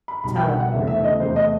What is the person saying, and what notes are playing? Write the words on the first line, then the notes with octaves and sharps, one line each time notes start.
teleport, maybe.
B5
B1 B2 G3 B5
G5
F#5
F#5
E2 C3 E3 A3 E5
E5
D#5
E2 C3 E3 A3 C5
D#5